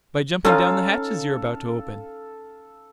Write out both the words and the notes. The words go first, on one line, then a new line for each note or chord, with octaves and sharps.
"By jumping down the hatches you're about to open."
C#4 D#4 F4 A4 F5